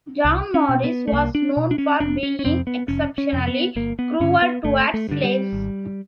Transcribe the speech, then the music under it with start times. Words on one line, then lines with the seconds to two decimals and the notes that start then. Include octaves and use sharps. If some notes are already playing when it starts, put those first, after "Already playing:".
John Maurice was known for being exceptionally cruel towards slaves.
0.25 C2
0.54 C#4
0.69 B2
0.84 B3
1.08 A3
1.13 C2 A#3
1.35 D4
1.57 B2
1.71 D4
1.78 C#4
2.00 F1 D4
2.23 C#4
2.39 C#4
2.44 F2 C3 C4
2.67 B3
2.88 F1 C#4
3.18 C#4
3.33 F2 C3
3.47 B3
3.76 G1 A#3
3.99 B3
4.20 G2 D3 C#4
4.42 B3
4.64 G1 A3
4.94 A3
5.09 G2 D3
5.24 G3
5.53 G#1